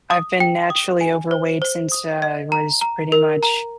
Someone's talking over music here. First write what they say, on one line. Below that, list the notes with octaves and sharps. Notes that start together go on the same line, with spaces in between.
I've been naturally overweight since I was pretty much
D#6
G5
D#6
G#5
C5
C5
D#6
D#5
A#5
A#5
A#4
A#5